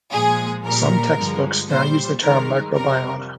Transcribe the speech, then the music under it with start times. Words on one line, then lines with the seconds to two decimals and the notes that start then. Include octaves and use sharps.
Some textbooks now use the term microbiota.
0.12 A#2 F3 G#3 G#4
0.64 A#2 G3 A#4
1.17 G2 D3 F3 G#3
1.69 A#2 G3 C5
2.21 G2 D#3 G#3 A#4
2.73 F2 C3 G3 A#4